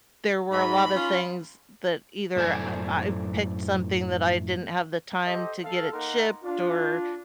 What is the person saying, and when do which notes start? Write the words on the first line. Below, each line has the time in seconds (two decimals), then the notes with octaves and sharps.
there were a lot of things that either I I picked something that I didn't have the time to get it shipped or
0.51 G#2 B5
0.95 C#4 F4
2.36 F#2 A2 A4 C5 D5 G#5
5.26 G4 A4 C5 D#5
5.63 A4 F5
5.93 A#3 D#4 A#4 F#5 C6
6.44 D4 F4